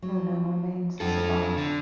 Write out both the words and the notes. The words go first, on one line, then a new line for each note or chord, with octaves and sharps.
No known remains survive.
F#3
F2 D4 F4 A4 F#5
D3